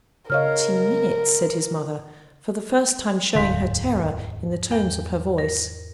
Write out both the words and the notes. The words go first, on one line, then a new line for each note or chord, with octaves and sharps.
'Twenty minutes!' said his mother, for the first time showing her terror in the tones of her voice.
C#3 A#4 C#5 D#5 F5 F6
D1 E2 G#2 D3 F5
E2 G5
A#4